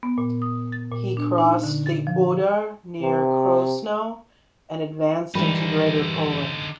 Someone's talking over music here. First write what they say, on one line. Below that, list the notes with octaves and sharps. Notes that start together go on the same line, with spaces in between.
He crossed the Oder near Krosno and advanced into Greater Poland.
B3
A#2
D#6
A6
A#2
D4
D#4
D3
A6
F3
C3
D3 E3 G3 D#4 A#4 B4 B5